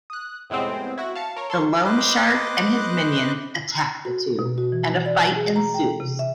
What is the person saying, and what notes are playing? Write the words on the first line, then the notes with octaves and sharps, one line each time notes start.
The loan shark and his minions attack the two and a fight ensues.
D#6 F#6
F2 A2 C3 G#3 B3 C4
E4 F#4 A#6
F5 A5 C#7
A#4 C#5
A4 C6 C#6
B4 C5 D#5 D6 F#6
F#4
B2
F#4
E3
D5
G#4
A#5
G5
C3
E5